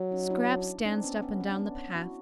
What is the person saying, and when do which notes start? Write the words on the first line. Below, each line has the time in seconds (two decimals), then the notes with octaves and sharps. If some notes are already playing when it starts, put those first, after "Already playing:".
Scraps danced up and down the path.
Already playing: F#3
0.11 C#4 D#4
0.30 D4 E4
0.79 D#4
0.85 C4 D4
1.04 B3 C#4
1.22 B3 C#4
1.41 C#4
1.50 D4
1.58 B3 C#4
1.96 E4 F#4